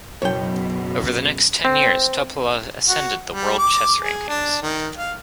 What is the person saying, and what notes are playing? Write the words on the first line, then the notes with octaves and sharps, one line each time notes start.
Over the next ten years Topalov ascended the world chess rankings.
F#1 F#2 B2 C#5 G5
C4
F#4
G3
D6
G#4
D4
D#3
F5